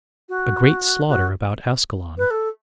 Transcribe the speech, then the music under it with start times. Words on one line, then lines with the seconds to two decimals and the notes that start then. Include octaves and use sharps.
A Great Slaughter About Ascalon.
0.29 F#4
1.09 F#4
2.18 B4
2.31 A4